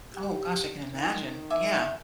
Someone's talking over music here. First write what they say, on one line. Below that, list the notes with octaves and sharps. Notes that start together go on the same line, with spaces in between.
Oh gosh, I can imagine. Yeah.
G4
D#3
E5 G#5 D6